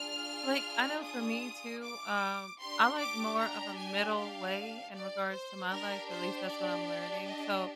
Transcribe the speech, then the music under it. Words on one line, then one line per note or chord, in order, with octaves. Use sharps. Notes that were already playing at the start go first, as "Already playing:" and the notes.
like, I know for me too, um, I like more of a middle way in regards to my life, at least that's what I'm learning, so,
Already playing: D4 F4 G#4 F6
D#6
D6
D4 G4 C6
D6
A#5
G#5
F5
D5
C5
D4 G4 A#4
C5
D5
D#5